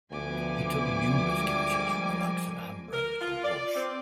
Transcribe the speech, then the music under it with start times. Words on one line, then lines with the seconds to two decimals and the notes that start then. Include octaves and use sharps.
He took numerous catches from the likes of Ambrose and Walsh.
0.11 D2 F3 B3 F4 G#5 D6
1.32 F3 G3 G#3 A#3
2.93 A#4
3.20 F4
3.43 D5
3.75 C4